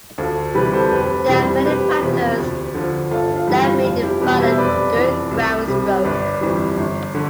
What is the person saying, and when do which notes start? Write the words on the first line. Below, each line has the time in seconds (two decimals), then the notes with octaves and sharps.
There are many factors that may define a good groundstroke.
0.18 D2 F4 A4
0.54 C3 E3 G3 G4 B4
0.73 A4 C5
0.91 F1 G4 B4
1.28 F2 C3 E3 G3
1.65 F1 G4 B4
2.01 E2 C3 F3
2.38 D2
2.74 D3 F3
3.11 G1 F4 A4
3.36 F4
3.47 G2 E3 G3
3.61 F4
3.84 F1 F4
4.03 E4 G4
4.21 E2 B2 G3 G4 B4
4.40 C5 E5
4.50 E5
4.58 F1 B4 D5
4.95 F2 E3
5.31 C2
5.68 C3 G3
6.04 G1 B4 D5
6.41 F2 E3 G3
6.78 G1
7.15 D3